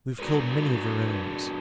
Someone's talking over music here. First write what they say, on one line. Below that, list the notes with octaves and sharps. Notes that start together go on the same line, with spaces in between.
We have killed many of our enemies.
D4 F#4 G#4 A#4 B4